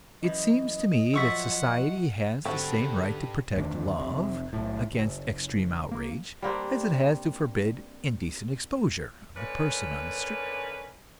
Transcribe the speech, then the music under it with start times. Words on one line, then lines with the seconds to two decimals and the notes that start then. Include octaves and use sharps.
It seems to me that society has the same right to protect love against extreme outrage, as it has to forbid indecent exposure of the person on the street.
0.22 F#2 E3 D#5
1.14 F3 F#3 F4 E5 F#5 C#6 E6
2.45 D3 C4 F#4 G4 B4
3.55 E1 D2 D#3 D4
3.99 F1 C3
4.53 B1 A2
4.91 F#1
5.91 A#3
6.42 G3 A#3 C4 D4
9.35 D3 A#3 C#4 A#4 B4